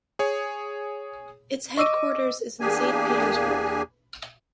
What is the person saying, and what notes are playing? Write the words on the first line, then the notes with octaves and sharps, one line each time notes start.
Its headquarters is in Saint Petersburg.
G#4 C#5
D#5 C#6 D6 E6 D#7
E2 A#3 D4 G4 G#4 G#5